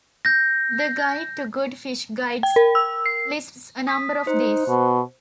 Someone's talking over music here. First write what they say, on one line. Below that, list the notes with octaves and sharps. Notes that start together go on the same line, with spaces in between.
The Guide to Good Fish Guides lists a number of these.
G6 A#6
G5
A#4
E6
C7
D#6 B6
D#4 C5
B2